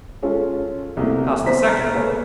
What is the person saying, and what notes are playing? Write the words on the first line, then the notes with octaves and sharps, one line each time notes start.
House the second.
G#3 C#4 F4 A4
C2 B2 A3 A#3
B3 C4 C5 A#5 B6
A#5 F6
G#3 A#3 A4 B4 C#5